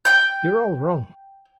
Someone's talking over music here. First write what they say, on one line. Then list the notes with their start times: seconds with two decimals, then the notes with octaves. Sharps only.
You're all wrong!
0.05 G5 G6